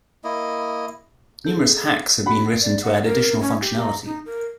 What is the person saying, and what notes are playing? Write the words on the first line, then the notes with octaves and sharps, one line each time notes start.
Numerous "hacks" have been written to add additional functionality.
A#3 E4 D#5
G#4 A4 G6
D4 F#4 F#5 B5
D5
F#5
A#4
C#4
G4
A#5
D#4
A#4